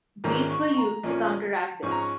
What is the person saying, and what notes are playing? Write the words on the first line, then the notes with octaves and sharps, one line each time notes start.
Greaves were used to counteract this.
A#1 G#2 D#3 A#3 C#4 A#5
C#6
C#6
A#5
A#1 A#2 F3 C#4
G#2 F3 C#4 C#6
A#5
C#6